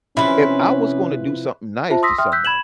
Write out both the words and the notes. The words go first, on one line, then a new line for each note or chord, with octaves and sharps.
if I was gonna do something nice to someone
C3 E3 F3 C#4 E4 B4
F4 C5 E5 A5
C6 D#6 E6 A#6 B6
E5 G5 C6 D#6 F6
E6 F#6 G6 B6
B5 G#6 E7 F#7